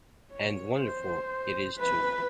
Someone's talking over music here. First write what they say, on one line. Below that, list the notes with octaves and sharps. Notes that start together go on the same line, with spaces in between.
And wonderful it is too.
C#5
C5
B4